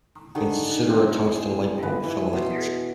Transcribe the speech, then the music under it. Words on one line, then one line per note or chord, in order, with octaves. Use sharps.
Consider a tungsten light-bulb filament.
D3 D#3 G#4
A2 C4
G#4
B4 D#5
E3 G#5
B2 C6